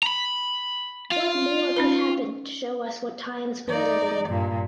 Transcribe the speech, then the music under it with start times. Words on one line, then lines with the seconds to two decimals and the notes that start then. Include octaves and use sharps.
What more could happen to show us what times we are living in?
0.03 A#5 B5
1.12 F4
1.77 C#4 D#4 B4
3.68 D#4 D5
4.28 G2 A#2